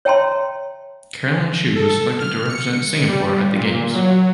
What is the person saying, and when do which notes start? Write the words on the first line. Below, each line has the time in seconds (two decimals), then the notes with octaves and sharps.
Caroline Chew was selected to represent Singapore at the Games.
0.05 C#5 E5 G5 A5 A#5 C6
1.75 A4
2.20 F6
2.49 C#7
3.08 G3
3.55 A#2
3.95 F#3